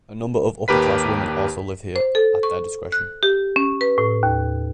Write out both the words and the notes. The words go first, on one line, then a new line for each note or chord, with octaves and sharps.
A number of upperclass women also live here, at their discretion.
D#2 G4 A#4 B4 B6
C5
A4
C#6
F#6
G4
C#4
B4
A2
D#2